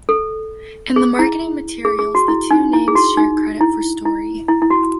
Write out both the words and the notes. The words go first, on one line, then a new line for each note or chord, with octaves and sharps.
In the marketing materials the two names share credit for story.
A4
G#4
E4
G#4
G#4
F#4
E4
D#4
E4
G#4
F#4
D#4
E4
E4
E4
E4
F#4